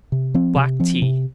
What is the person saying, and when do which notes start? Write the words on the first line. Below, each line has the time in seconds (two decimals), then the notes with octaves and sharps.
Black Tea.
0.12 C3
0.34 F3 C4
0.56 C3
0.80 F3 C4
1.02 C3